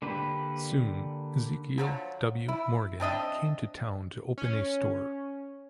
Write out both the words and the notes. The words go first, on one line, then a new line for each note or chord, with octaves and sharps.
Soon Ezekiel W. Morgan came to town to open a store.
D3 A#3 G4 B4
D3 F3 F#3
E4
C4 D4 D#5 E5
C#4